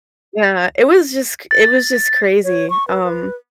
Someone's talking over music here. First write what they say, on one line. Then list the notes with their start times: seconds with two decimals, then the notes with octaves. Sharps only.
Yeah. It was just cr it was just crazy. Um,
1.51 A6
2.44 C#5
2.70 C#6
2.88 B4
3.03 B4